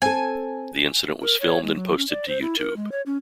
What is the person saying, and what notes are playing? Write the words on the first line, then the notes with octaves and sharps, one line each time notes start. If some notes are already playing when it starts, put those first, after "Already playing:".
The incident was filmed and posted to YouTube.
C4 A4 G#5
A#4
C#5
G#3
F#3
C#4
D5
C5
E4
A#4
G#3
C#5
C#4